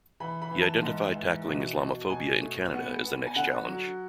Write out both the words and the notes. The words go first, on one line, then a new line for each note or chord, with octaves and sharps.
He identified tackling Islamophobia in Canada as the next challenge.
E3 B5
B5
E3
A5
G#2
E3
B2
B2
B2 G#5
A3
B3
B3
G#5
D3 F#5
F#3